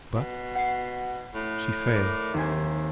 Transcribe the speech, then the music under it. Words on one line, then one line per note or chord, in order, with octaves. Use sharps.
But she failed.
B2
F#5 C7
A2
A#4 D5
D#2 C3 G#5